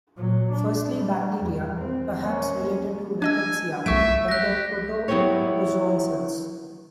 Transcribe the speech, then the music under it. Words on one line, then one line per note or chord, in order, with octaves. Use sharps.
Firstly, bacteria, perhaps related to "Rickettsia", entered proto-protozoan cells.
A#2 F#3
D4
G3
E2
C4
A#3 C#4
D4 D#5 G#5 E6
C2 A3 E5 C#6 D7
G4 F#6 A#6
F#3 B3 E4 G4 B4 C#5